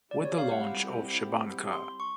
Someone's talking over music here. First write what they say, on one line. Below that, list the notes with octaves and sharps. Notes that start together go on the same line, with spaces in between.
With the launch of Che Banca!
G3 C4 E4 G4 D5
C#5
F5
F#5
C6
C#6